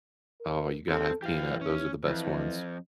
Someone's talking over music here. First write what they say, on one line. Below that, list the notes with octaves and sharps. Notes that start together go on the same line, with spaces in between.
Oh, you gotta have peanut, those are the best ones.
A#4
C4 A4
E3 G4 F5
C#4
F2 E3